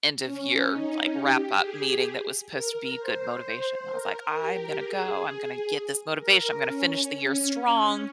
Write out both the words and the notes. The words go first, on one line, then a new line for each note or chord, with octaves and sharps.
end of year, like, wrap up meeting that was supposed to be good motivation. I was like, "I'm gonna go, I'm gonna get this motivation, I'm gonna finish the year strong"
C#4
D#4
G4
G#4
A#4
C5
C5
A#4
G4
G#4
A#4
C#4
C#4